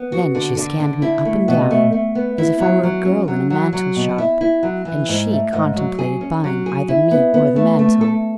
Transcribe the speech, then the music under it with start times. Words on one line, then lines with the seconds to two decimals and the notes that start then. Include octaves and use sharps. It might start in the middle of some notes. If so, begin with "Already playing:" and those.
Then she scanned me up and down, as if I were a girl in a mantle shop, and she contemplated buying either me or the mantle.
Already playing: B3
0.12 F#4
0.35 D3
0.57 D3
0.80 D3
1.02 E4
1.25 A3
1.48 B2
1.71 A3
1.92 A3
2.15 B3
2.38 E4
2.60 F#3
2.83 F#3
3.05 C#4
3.28 F#3
3.50 F#3
3.73 F#3
3.96 B2
4.18 E4
4.41 E4
4.63 F#3
4.85 E3
5.09 G#2
5.31 A3
5.53 G#2
5.76 F#3
5.99 G#4
6.21 C#4
6.44 F#3
6.66 G#4
6.89 E4
7.11 B3
7.34 B3
7.56 A3
7.79 A3
8.01 A4